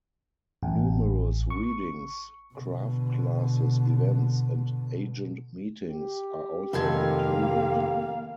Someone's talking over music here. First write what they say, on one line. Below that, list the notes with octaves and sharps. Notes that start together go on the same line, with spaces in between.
Numerous readings, craft classes, events, and agent meetings are also included.
A1
C#6
B2 D3
G4
F1 D#3 A#3 A4 F5 C6 G#6